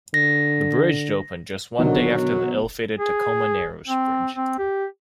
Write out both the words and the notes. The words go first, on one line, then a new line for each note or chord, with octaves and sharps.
The bridge opened just one day after the ill-fated Tacoma Narrows Bridge.
D3 A#6
B2 D3 D#3 F#3
G#4
C4
C4
G4